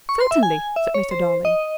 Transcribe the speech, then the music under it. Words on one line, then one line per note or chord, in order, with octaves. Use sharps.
"Certainly," said Mr. Darling.
C#6
C6
E5
G#5
E5
C#5
C5
D#5